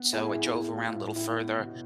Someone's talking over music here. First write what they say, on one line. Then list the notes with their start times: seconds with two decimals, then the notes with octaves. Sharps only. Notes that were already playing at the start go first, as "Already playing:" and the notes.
So, I drove around a little further,
Already playing: B3
0.13 A2 E4 G#4
0.34 B3
0.54 A2
0.75 A2 F4
0.96 A2 E4
1.16 A2 E4
1.37 B3
1.58 B2